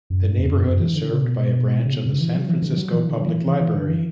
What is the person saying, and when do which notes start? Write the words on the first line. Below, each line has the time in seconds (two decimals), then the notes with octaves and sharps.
The neighborhood is served by a branch of the San Francisco Public Library.
0.10 F#2
0.24 G2
0.39 E2
0.52 F#2
0.67 F#2
0.80 E3
0.95 D3
1.09 C#3
1.22 B2
1.85 C#3
1.92 B2
2.06 C#3
2.20 E3
2.35 F#3
2.48 E3
2.62 D3
2.71 E3
2.77 F#3
2.91 E3
3.09 D3
3.22 F#3
3.27 E3
3.47 E3
3.60 E3
3.74 D3
3.89 E3